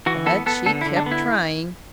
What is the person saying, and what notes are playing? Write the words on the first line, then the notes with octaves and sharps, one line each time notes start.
But she kept trying.
E3 F#4
B3 A4
B3 A4
D3 A4
E4
D3
D4
B3
E4